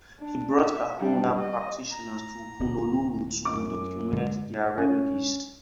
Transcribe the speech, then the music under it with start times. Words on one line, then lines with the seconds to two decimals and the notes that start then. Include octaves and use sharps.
He brought kahuna practitioners to Honolulu to document their remedies.
0.20 D4
0.62 E5
0.99 G3 D4
1.39 D#5
1.92 A#5
2.59 D1
3.45 F#2 D6
4.13 G#2 D3 G#3
4.78 C#4